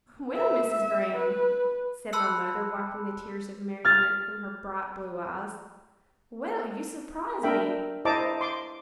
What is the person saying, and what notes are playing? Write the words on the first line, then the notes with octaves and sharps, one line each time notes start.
'Well, Mrs. Graham,' said my mother, wiping the tears of merriment from her bright blue eyes--'well, you surprise me!
E5
B4
A5 B5 C6 E6 F#6 C#7
F6 G#6 A6
D4 A#4 E5 G5 B5
E4 C5 D#5 A5 A#5 D6
C6 D6